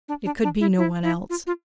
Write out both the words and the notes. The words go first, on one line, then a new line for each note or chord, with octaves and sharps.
It could be no one else.
D4
D4
D4
E4
E4
E4
F4
F4